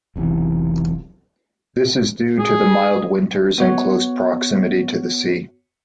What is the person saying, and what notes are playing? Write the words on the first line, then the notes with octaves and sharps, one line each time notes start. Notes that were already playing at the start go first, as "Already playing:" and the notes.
This is due to the mild winters and close proximity to the sea.
E1 B1 C3 E3
G#4
B3 F#4 C#5